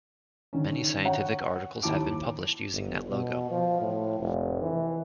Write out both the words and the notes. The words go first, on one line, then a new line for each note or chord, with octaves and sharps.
Many scientific articles have been published using NetLogo.
D3 D#3 C#4
C#5 F#5 G5
D#2 E4 A5 D6 D7
G1
B2
F3
A2
F1
E3